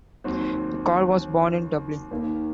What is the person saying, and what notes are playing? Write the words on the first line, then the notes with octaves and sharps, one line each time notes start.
Carr was born in Dublin.
D#2 D#3 F#3 C4 F#4
D#2 D#3 A#3